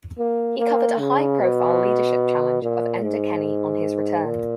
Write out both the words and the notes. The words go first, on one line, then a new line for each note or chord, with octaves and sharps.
He covered a high-profile leadership challenge of Enda Kenny on his return.
A#3
A#3
C#3
B2
A#2
G#2
A#2